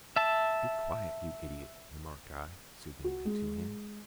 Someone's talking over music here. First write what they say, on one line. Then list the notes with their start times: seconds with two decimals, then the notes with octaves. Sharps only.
"Be quiet, yoo idiot!" remarked I, soothingly, to him.
0.16 E5 A5
3.04 F#4
3.25 G#3